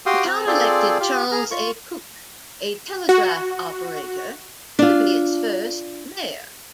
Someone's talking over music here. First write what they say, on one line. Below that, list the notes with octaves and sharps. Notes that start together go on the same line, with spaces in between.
The town elected Charles A. Cook, a telegraph operator, to be its first mayor.
F#4 G4 F5 G5 C6 D#6
C4 A#5
C4 F4 G#4 A4 C5 D5
F4 G4 F5
G#4 A#5 F6
F4 C#6
F#4
D4 F4